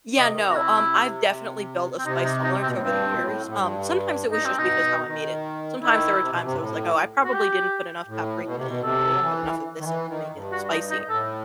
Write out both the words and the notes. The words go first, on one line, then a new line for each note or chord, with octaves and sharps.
Yeah, no, um, I've definitely built a spice tolerance over the years, um, sometimes it was just because how I made it, sometimes there were times I was, like, "Oh, I probably didn't put enough paprika in or I didn't put enough of this in to make it spicy."
C3 D#5
D#3
C3
F#4
E4
C4
C3 D#4
D#4
D#4
C3 C4
B2
A2
G2 C4
B2
A2
A2
G2
G2 D#4
C4
B2 D#4
G2
A2
B2
D#3
D#3 E4
C3
B2
C3
G2
A2
F#4
G4
A2
B2
C3
B2
C3 A4
F#3
E3
D#3
E3
D#3
G2
F#4
D#4
D#4
A2 A4